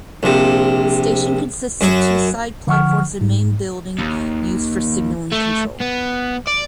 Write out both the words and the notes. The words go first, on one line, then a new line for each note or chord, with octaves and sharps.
The station consists of two side platforms and main building used for signalling control.
A#1 C3
F#2 F#3
D3 F3 F#5 C#6 F6
G#2
D#2
A3
B3
D5